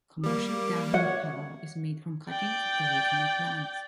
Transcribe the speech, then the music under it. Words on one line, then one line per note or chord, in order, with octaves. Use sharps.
Commercial Da Hong Pao is made from cuttings of the original plants.
G3 A#3 D6
C#5 F#5
D5 G5